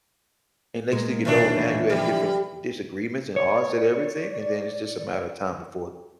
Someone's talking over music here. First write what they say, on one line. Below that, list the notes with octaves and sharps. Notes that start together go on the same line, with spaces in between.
and next thing you know, now you had different disagreements and odds and everything, and then it's just a matter of time before the
A#2 G#3 A#4
E2 B2 D#3 E3 F#3 D4
D3 F3 G3
C#5 D5